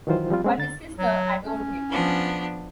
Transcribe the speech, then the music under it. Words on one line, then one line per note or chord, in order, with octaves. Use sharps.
But his sister adored him.
D#3 E3 F#3 F4 C5
F3 G3 C4 F4
G#3 A3 C4 C#4
D3 A6
F#3
C#4
F3 B3 D4